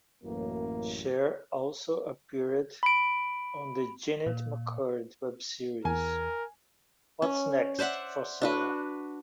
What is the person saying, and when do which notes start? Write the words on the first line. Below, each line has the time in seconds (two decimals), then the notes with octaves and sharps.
Scheer also appeared on the Jennette McCurdy web series What's Next for Sarah?
0.23 A1 F#2 A#3
2.83 B5 D7
4.26 A#2
5.85 E2 A#4 G#5
7.22 C#4
7.79 C5 D5 E5 F#5
8.42 D4 F#4 B4